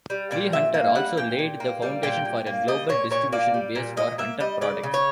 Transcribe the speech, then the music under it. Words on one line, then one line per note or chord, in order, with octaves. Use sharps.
Lee Hunter also laid the foundation for a global distribution base for Hunter products.
G3
A#2 D5
A#2 E5
A#3
G3 F#5
A#2 G5
A#2
A#3
G3
A#2 G5
A#2
A#3
G3 D#5
A#2 C#5
A#2 C#5
A#3 D5
G3
A#2
A#2 D#5
A#3 E5
G3 D#5
C#3 D5
C#3
C#5